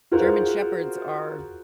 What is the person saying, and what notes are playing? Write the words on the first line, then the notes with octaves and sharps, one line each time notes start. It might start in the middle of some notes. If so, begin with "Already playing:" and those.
German Shepherds are,
F4 F#4 G#4 A#4 C5